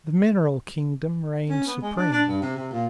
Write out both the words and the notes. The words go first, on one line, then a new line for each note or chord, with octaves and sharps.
The mineral kingdom reigned supreme.
C#4
B3
G#3
D4
D4
G2
C3
C3
A#2